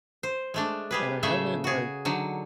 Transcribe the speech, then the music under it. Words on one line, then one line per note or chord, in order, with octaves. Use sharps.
and I haven't, like,
C5
G#3 A3 D4
G3 G#4 B4
A2 C#3 A3 G#4 E5
F#4 G#4
D3 F#3 D#4